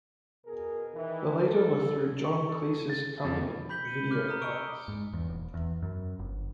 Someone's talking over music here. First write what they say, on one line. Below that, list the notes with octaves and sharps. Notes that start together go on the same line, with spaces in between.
The latter were through John Cleese's company Video Arts.
B2 G#4 A#4
D#3 E3
A4
C#6
A4
A6
F2
B5 G6 B6 F#7 G7
C#7 D#7
D6 F6 F#6 C#7
A#5 D#6 F6
C#6 E6 C#7 D7 G7
D7
G#2
E2
D#1
E2
F#2
G1